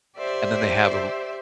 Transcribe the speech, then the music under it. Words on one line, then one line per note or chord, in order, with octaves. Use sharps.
and then they have a r
G4 C5 D5 E5